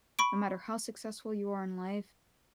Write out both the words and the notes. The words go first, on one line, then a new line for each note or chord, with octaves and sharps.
no matter how successful you are in life,
B5 C#6 D7